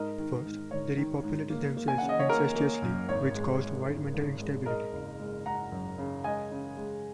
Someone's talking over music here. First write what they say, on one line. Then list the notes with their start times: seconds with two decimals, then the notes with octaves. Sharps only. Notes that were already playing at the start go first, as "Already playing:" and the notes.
At first they repopulated themselves incestuously, which caused wide mental instability.
Already playing: G#2 A#4 D#5
0.18 D#3
0.46 G#2
0.71 G#2 C#5
0.97 D#3
1.24 G#2
1.50 A#3
1.77 A#3
1.88 G#5
1.98 C#3 F#5
2.09 D#5
2.19 C#5
2.29 A#3 A#4
2.56 A#3
2.82 F#2
3.09 G#1 C#5
3.35 G#3
3.61 G#3
3.87 G#1
4.14 G#1
4.40 G#3
4.66 G#3 A#4 D#5
4.93 F#1
5.20 G#3
5.46 G#3 F#5 A#5
5.72 F#2
5.98 C#3
6.24 G#3 D#5 G#5
6.51 C#3
6.77 G#3